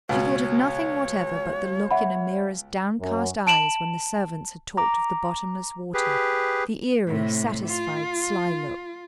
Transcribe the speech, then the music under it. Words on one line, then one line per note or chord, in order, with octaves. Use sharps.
She thought of nothing whatever but the look in Ameerah's downcast eyes when the servants had talked of the bottomless water,--the eerie, satisfied, sly look.
C#2 B2 C#5
E5 F#5 B5
F#2
A5 D7 E7 F#7
A#5 D6
G4 G#4 B4
A2 C3
F4